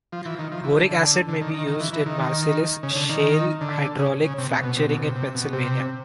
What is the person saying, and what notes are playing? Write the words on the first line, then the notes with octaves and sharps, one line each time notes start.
Boric acid may be used in Marcellus Shale hydraulic fracturing in Pennsylvania.
F3
E3
D#3
F3
E3
D3
D3
D3
D#3
D#3
D#3
E3
E3
D#3
C#3
D3
D#3
D3
C#3
C#3
C3
B2
B2
C3
B2
C3
C3
B2
C3